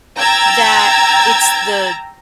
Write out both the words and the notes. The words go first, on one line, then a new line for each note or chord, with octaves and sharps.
that it's the
G5 A#5 E6 G#6 A6